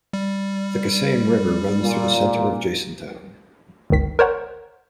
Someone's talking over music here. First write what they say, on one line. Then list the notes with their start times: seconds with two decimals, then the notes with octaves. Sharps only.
The Kesang River runs through the center of Jasin Town.
0.13 G3
1.80 A#2
3.90 G1 C#2 D#3 B6
4.19 A#4 C5 C#5 F#5